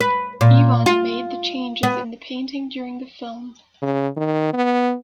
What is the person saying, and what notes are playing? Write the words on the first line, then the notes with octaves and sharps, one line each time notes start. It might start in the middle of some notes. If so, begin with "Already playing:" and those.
Ivan made the changes in the painting during the film.
B4
A#2
F4
B3
C#3
D#3
B3